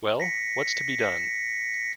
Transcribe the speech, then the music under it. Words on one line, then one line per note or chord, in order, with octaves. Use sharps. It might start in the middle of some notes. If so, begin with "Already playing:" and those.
Well, what's to be done?
A#6 B6 C#7